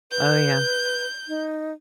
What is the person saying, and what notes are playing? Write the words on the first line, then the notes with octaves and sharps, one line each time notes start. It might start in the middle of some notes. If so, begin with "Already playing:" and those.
Oh, yeah.
B4 G6
D#4